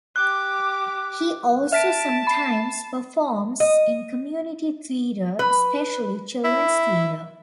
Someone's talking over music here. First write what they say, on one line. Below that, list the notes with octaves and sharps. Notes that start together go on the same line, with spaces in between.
He also sometimes performs in community theater, especially children's theater.
G4 D6 F#6
E5 A5 B6 D7
B5 C7
D#5
B4
E4